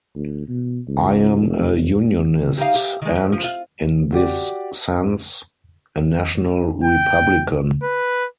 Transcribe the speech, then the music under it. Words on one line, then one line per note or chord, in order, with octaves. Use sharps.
I am a unionist, and, in this sense, a national republican.
D2
B2
C#2
F1
G3 D#4 F5
G4
D#3 G#3
F2
F3
F4
F#4 G4 D5
G5
B4